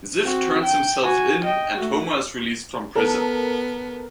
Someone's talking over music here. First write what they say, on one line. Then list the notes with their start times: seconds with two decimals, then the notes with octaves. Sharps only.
Ziff turns himself in, and Homer is released from prison.
0.23 C4 F#4
0.63 G5
1.03 F#4 G#5
1.45 D#5 G5
1.77 A3 F#4
2.95 B3 A4 A#4 A5